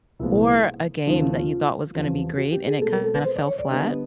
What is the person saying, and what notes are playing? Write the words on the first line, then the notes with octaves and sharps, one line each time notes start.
or a game that you thought was gonna be great and it kinda fell flat?
C2 A#2 F3 G#3 B3 E4
D#2 C#3 F3 D#4
E4
F4
E2 C3 F3
F#4
G4
G#4
B2 G#3 C4 A4
A#4
A4
B4
C5
D5
C#5
D5
D3 G3 B3 D#5